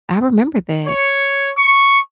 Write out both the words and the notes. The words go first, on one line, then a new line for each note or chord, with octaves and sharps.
I remember that.
C#5
C#6